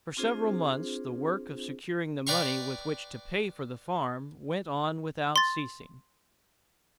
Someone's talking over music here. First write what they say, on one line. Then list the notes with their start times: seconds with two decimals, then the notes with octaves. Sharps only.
For several months the work of securing the money with which to pay for the farm went on without ceasing.
0.17 C4 D4 F4 G#4 C5
2.27 B4 D5 G5 A#5 C6 C#6
5.36 C6 A6